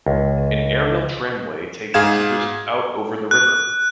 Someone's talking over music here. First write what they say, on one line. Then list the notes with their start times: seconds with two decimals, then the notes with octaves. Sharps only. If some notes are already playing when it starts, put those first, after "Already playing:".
An aerial tramway takes visitors out over the river.
0.06 C#2
1.94 G#2 G#4 F5 G#6 E7
3.31 F#6